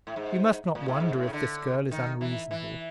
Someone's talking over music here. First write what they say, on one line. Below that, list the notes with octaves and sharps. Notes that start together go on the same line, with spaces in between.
You must not wonder if this girl is unreasonable.
A2
G#2
A#2
A2
G#2
A2
C#3
D3
D#3
E3
E3